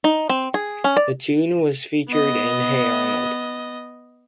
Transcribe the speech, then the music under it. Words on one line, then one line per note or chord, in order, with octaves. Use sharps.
The tune was featured in Hey Arnold!
D#4
C4
G#4
C#4
D5
B3 D#5